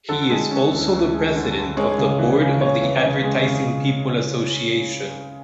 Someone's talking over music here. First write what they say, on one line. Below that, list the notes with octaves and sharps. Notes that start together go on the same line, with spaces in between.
He is also the president of the board of the Advertising People Association.
D3 A4 A5
G#3
C#4
D2
D2
G#3
D3
D3
G#3 C#5
C#3
E3
C#3
C#3 C#5
E3
C#3
G#3
C#3